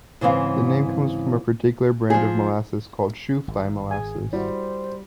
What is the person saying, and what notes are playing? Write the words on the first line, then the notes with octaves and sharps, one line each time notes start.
The name comes from a particular brand of molasses, called Shoofly Molasses.
G#2 C#3 E3 C4 F5
F3 G#4
G#1
G#4 G#5
G3 E4 F#4 C5